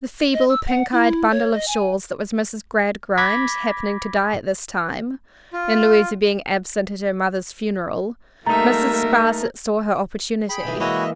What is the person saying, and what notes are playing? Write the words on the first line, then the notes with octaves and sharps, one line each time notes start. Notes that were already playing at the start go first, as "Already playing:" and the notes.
The feeble, pink-eyed bundle of shawls that was Mrs. Gradgrind, happening to die at this time, and Louisa being absent at her mother's funeral, Mrs. Sparsit saw her opportunity.
D#5
E6
F#5
E4
C#5
D#5
G#5
B5 D6 G#6 A#6 B6
F4
G3 A3 A#3 D#4 A#4 E5 A#5
G#4 G5 B5
B1 E3
E3 G#3 A#3 C#4 E4 F#4 D#5 E5